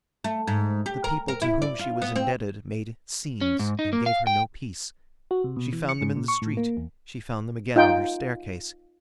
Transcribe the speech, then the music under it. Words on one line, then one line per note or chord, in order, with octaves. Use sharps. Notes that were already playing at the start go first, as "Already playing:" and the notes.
The people to whom she was indebted made "scenes" and gave her no peace. She found them in the street, she found them again on her staircase.
A3
G#2
G4
A#4
A#4
E4
D5
F4
B3
C4
C#4
G#2
D#4
A#3
F5
G5
F#4
C3
B2
E3
C#7
G#2
A#2
C#6
A2
A#3
E2
D#4 F4 G5